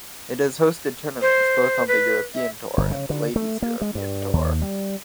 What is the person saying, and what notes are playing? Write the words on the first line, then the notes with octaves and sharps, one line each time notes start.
It has hosted tournaments both on the European Tour and the Ladies European Tour.
C5
B4
E5
G1
C#3
D3
A3
A#3
G#3
G2
D#2
G3